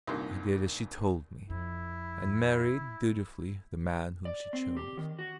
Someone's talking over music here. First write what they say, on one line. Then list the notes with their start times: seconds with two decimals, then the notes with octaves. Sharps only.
I did as she told me and married dutifully the man whom she chose.
0.07 C2 G2 A#2 D#3 C6
1.50 F2 E4
4.25 D5
4.53 C4
4.77 G4
4.97 D#3
5.19 F#4